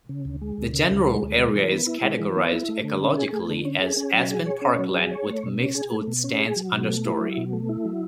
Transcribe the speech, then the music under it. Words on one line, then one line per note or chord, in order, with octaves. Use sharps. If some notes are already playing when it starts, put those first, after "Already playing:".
The general area is categorized ecologically as aspen parkland with mixedwood stands understory.
C#3
D2
G#3
D2
C#3
D2
G#3
D2
G#3
E3
B3
E4
G#3
E3
B3
E4
A3
D3
C#4
G#4
A3
D3
C#4
G#4
C#4
F#3
G#4
C#5
C#4
F#3
G#4
C#5
A3
B2
C#4
G#4
A3
B2
C#4
G#4
F#3
B2
A3
E4
F#3
B2
A3
E4
F#3